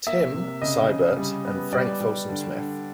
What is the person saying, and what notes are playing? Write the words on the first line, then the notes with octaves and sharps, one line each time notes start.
"Tim" Seibert, and Frank Folsom Smith.
A#3 E5
C3
C#3 D#5
C#3
G3
B3
G3 D5
G3
D3
D3